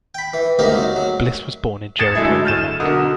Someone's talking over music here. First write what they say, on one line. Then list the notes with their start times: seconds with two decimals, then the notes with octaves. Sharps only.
Bliss was born in Jericho, Vermont.
0.15 G5 B5
0.34 E3
0.59 D2 G#2 C3 G3 A#3 D#4
0.76 F#3
0.96 F#3
1.99 D#6 G#6 A6 C7 C#7 E7
2.15 D3 F#3 G#3 A3 E4
2.45 F6 G6 A6 D#7 E7
2.80 B1 D3 F#4 A#4 D#6